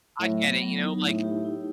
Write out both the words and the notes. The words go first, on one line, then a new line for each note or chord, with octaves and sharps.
I get it, you know? Like,
A2 F#3
B3
F#3
D#4
A2 E4
G4
E4